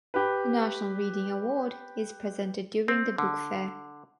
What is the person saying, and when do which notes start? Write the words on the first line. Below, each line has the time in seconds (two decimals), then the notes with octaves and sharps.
The National Reading Award is presented during the book fair.
0.14 G4 B4
2.88 C4
3.18 D3